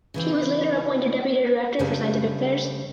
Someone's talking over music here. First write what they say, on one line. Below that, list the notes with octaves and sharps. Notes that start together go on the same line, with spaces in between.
He was later appointed deputy director for scientific affairs.
C#3 E3 C4
F#2 C#3 G3 A3 D4 B4